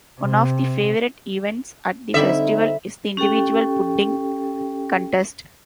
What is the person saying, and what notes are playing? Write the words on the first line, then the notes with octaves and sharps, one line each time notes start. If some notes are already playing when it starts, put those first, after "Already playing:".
One of the favorite events at the festival is the Individual Pudding Contest.
C3
D3 G3 C4 D#4 E4 E5
C#4 G4 A4 G5